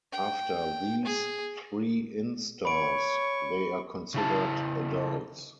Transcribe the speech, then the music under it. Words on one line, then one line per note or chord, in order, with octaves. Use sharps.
After these three instars, they are considered adults.
G5
G#4
C#5 B5 C#6 D7
C#3 E4 A5